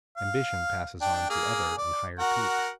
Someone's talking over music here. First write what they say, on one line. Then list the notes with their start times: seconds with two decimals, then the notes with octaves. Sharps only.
Ambition passes on to other and higher peaks.
0.17 F5
1.01 D4 G5
1.30 A#3 G#4
1.78 D5
2.19 F#4 A#4 F#5